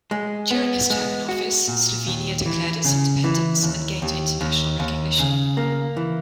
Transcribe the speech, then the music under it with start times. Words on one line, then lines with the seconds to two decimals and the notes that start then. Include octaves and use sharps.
During his term in office, Slovenia declared its independence and gained international recognition.
0.11 G#3
0.51 B3
0.90 G#3
1.29 F#4
1.68 A#2
2.07 D#2
2.46 E3
2.84 C#3
3.24 E3
3.63 D#2
4.02 D#2
4.41 D#2
4.80 D#2
5.19 C#3
5.57 A#3
5.97 E3